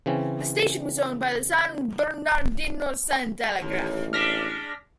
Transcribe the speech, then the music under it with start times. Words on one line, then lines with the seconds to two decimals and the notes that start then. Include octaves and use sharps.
The station was owned by the "San Bernardino Sun-Telegram".
0.06 C#3 E3 C4 C#4
3.61 A1 D#2
4.13 G#3 D4 F6 A#6 B6